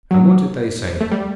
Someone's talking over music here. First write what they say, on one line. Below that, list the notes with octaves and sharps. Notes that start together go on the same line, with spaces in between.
'And what did they say?'
F#3
A3
G3